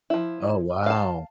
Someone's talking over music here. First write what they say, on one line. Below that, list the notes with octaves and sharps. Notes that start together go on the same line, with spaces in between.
Oh wow.
F3 E4
F5 A5